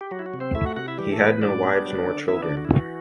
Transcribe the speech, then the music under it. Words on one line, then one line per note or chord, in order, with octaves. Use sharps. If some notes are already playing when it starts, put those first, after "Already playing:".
He had no wives nor children.
G4
F#3 F#4
E4
F#4
C3
C4 C5
A3 E4 E5
F#4 F#5
C3 F#4 F#5
E4 E5
E3 G3 G4
A3 A4
A2
B3 B4
G3 D4 D5
B3
F#3
D3
B3 E4 E5
D4 D5
D3
F#4
E4
E3 F#4